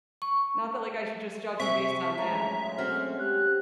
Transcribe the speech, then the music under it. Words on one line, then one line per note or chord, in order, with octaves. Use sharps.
Not that, like, I should just judge him based on that, but
C#6
C3 C4 G#4 E5 C#6
F#3 G#3 A3 C#4 A#5
C4 C#4 F#4 F6
G4 F#6